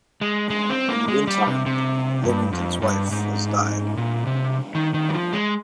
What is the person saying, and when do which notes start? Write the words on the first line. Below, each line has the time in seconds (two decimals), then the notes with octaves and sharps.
In the meantime, Leamington's wife has died.
0.21 G#3
0.50 G#3
0.70 C4
0.89 A#3
1.08 G#3
1.27 G3
1.47 C3
1.66 C3
2.24 G2
2.53 F2
2.82 G2
3.11 G#2
3.97 A#2
4.27 C3
4.75 D#3
4.94 D#3
5.09 G3
5.14 F3
5.33 G#3